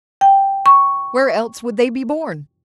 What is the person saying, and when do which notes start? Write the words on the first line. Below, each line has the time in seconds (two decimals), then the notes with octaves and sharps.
"Where else would they be born?"
0.21 G5
0.66 C#6